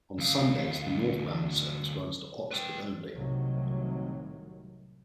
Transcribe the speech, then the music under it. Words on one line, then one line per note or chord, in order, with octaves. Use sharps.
On Sundays the northbound service runs to Oxted only.
D2 F5
B4 G5
C2 A2 C3 D#3 F#3